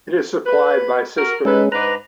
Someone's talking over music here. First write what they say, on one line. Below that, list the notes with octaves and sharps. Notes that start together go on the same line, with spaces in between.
It is supplied by cisterns.
B4
F#4 A#4
G#3 C#4 D#4 A4 B4
G#2 D4 B4 A#5